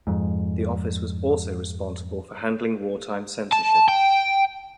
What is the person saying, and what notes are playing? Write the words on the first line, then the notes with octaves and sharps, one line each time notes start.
The office was also responsible for handling wartime censorship.
F2 G#2
A5
G5